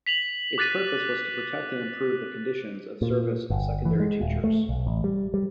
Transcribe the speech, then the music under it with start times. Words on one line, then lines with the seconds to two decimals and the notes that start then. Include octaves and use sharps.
Its purpose was to protect and improve the conditions of service of secondary teachers.
0.06 B6 F7 F#7
0.58 D6 F#6 A6 B6 D#7
3.02 A#2
3.50 G1
3.85 E3
4.00 G#3
4.21 D#1
4.44 A3
4.69 B1
4.87 A1
5.04 G3
5.34 G3